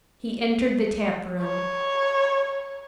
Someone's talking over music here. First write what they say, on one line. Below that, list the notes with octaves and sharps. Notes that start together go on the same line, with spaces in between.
He entered the tap-room.
C#5